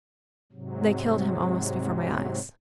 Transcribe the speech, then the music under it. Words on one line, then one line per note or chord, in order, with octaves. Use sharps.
"They killed him almost before my eyes."
G#2 C3 F#3